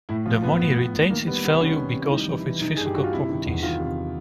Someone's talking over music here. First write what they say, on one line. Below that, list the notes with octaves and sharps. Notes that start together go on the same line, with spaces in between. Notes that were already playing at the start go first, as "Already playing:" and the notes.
The money retains its value because of its physical properties.
A2 E4
F3 F4
F3 B3
A2 B3
A2
A2
D#3 A#3
G3 B3
C3 B3
D#3 C#4
D#3
C3
E4
G3 D#4
E3
E4
E3
E3 D#4
G2 G#4
G4
G2 F#4
F4
C3 E4
D#3
E2
D#3 F4
C3